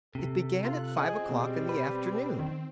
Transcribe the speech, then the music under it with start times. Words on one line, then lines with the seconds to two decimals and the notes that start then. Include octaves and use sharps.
It began at five o'clock in the afternoon.
0.15 C3 A4
0.65 F4 F#6
0.97 C4 G#4 D#5 G#5
1.29 B2 G3
1.69 B4
2.39 D#3